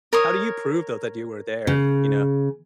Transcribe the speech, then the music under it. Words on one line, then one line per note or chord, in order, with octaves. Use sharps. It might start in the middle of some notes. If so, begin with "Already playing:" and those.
how do you prove, though, that you were there, you know?
A#4 C#5 D#6
C#3